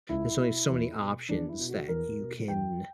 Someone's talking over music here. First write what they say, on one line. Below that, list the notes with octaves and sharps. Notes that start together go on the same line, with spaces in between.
there's only so many options that you can,
C#2 E4
B2
E2
B2
E2 D4
E4
B2
F#4
E2 A#4
B2
E2 G5